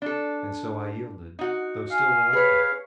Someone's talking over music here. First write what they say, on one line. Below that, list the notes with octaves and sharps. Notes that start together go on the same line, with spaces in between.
And so I yielded, though still reluctant.
D4 A4
D#4 F#4
F5 G#5
G#4 B4 C#5